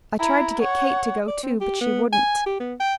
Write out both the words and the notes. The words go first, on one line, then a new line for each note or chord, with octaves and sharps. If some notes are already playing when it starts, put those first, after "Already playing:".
I tried to get Kate to go, too; but she wouldn't.
E4 A#5
C#5 F#5
D5
C4
G4
B3
G#5
G4
B3
G5